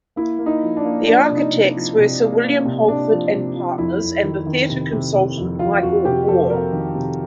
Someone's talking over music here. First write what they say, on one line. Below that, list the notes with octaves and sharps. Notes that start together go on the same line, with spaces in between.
The architects were Sir William Holford and Partners and the theatre consultant Michael Warre.
A#3 E4
A#3
D#4
F3
D4
A#3
F3 D4
C3
D#4
C3
F3
C3
A#3
A#3
C3
C3 D4
F3
C3
F3
F2 E4
F2
D#3
D#3
C3
C3
C3
F2
F2 F4
F2 F#4
C3 G4
F2 A4
C3 A#4
D#3
C3